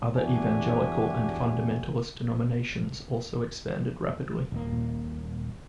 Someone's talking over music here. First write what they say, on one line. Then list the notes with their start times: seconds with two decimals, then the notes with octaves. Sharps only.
Other evangelical and fundamentalist denominations also expanded rapidly.
0.15 E2 D4 F#4 G4 E5 G#5
4.52 D#1 A#3
4.73 A#2